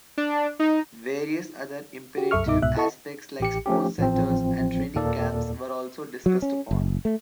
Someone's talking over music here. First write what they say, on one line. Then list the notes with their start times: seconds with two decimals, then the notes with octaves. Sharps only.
Various other imperative aspects like sports centres and training camps were also discussed upon.
0.17 D4
0.59 D#4
2.17 F#4 G4
2.31 C2 F#2 A4 E5 C#6 F6
2.45 C2 G2 B2 D#4 E5 D6
2.62 C2 G#2 B2 E5 F#6
2.77 E4 A4 D#5 A5 C#6
3.40 A1 G4 C#7
3.66 F3 A3 C#4 G4
3.98 A1 F3 C4
4.95 D#2 A#2 A#3 A4 D5
6.26 F#3
6.42 C#4
6.71 F#1
7.05 A3